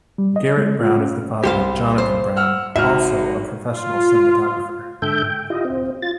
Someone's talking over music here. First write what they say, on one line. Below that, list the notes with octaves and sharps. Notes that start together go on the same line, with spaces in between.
Garrett Brown is the father of Jonathan Brown, also a professional cinematographer.
G3
D#5
G#3
F4
C#4
C2 G4 C5 F5
C5
F#5 E6 F6
G#1 F#4 E5 F6
F4
G#2 D3 A4 E5 G5 G6
G5
E4 F4 G4 D#5
C4
F4 A6